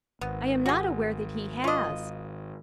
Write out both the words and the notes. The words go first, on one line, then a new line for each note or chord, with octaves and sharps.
"I am not aware that he has."
G#1 B3
F#4 G#4
F4 D#5